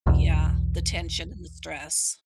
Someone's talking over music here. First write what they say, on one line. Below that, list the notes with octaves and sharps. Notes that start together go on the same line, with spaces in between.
Yeah, the tension and the stress.
B1 E2